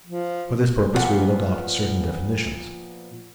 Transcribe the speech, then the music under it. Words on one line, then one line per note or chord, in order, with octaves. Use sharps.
For this purpose we will adopt certain definitions.
F3
A#2 F3 B3 B4 F#5 A5